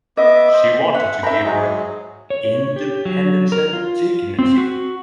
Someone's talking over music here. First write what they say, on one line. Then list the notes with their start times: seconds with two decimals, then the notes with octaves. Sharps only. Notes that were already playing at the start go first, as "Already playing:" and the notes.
She wanted to give her "independence and dignity".
0.17 B3 D#5 E5 D6
0.53 C5
0.94 E5 F#5
1.23 E5 G5 A#5 B5
1.44 F#3 G#3
2.30 C#5
2.76 G4
3.05 F#3
3.52 A#4
3.73 F4
4.39 C4
4.58 F#4